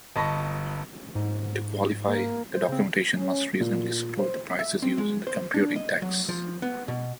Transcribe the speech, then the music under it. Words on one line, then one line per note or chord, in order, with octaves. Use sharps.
To qualify, the documentation must reasonably support the prices used in computing tax.
G1 D#5 A5 B5 C#6 A#6
G#2
A#3
C5
C#3 C4
C#4
A#2
C5
E5
C4
G#3
C5
D4
D#5
F#3
F3
B3
B2